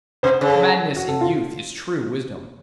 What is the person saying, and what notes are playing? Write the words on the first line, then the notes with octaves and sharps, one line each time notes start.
'Madness in youth is true wisdom.
C3 C5
C#3
A4
F#4
A4
F4